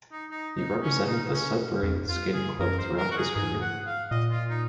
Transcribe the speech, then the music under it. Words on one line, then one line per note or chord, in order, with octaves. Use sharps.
He represented the Sudbury Skating Club throughout his career.
D#4
D#4
D#4
C#4
D#4
C#4
F2
F4
G#4
F#2 A#4
C5
A#4
F#4
G#4
G#2 G#4
F#5
F5
A#2 D#5
F4
D#4